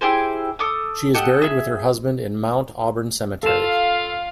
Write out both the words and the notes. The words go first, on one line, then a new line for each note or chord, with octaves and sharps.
She is buried with her husband in Mount Auburn Cemetery.
E4 G4 G#4 C5
A4 D6 D#6
G4 A4 D#5 F#5
G#4 E5
F4 A4 F5 E7